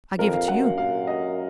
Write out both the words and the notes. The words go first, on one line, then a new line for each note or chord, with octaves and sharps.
I gave it to you.
F2 A#4
F5
F#2 F#5
F5
F5
D#5